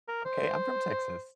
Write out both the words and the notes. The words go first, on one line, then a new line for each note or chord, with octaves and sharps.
Okay, I'm from Texas.
A#4
C5